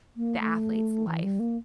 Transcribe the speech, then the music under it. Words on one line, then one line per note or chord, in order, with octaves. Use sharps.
the athlete's life.
A#3
A3
E3
G3
A#3